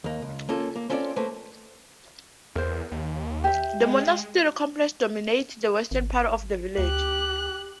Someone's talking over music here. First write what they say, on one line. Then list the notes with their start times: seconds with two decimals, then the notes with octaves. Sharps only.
The monastery complex dominates the western part of the village.
0.04 D#2 A#3
0.22 C#2
0.49 A#3 C#4 F4 A4
0.76 A#3
0.90 C4 C#4 F4 A4 A#4 D5
1.16 A3 A#3 B4 C5
2.55 E2 A#4 C5
2.92 D#2
3.44 G4 E5
3.80 G#3
5.91 G#1
6.78 D2 G4 F#6